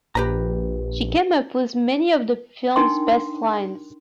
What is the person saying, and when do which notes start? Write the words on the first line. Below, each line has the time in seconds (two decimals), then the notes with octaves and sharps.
She came up with many of the film's best lines.
0.15 A#1 G4 B4 A#5
2.76 D4 D#4 A#4 G5 C6